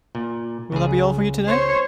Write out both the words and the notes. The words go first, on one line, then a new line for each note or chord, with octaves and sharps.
Will that be all for you today?
A#2
C#2 G#4
C5 C#5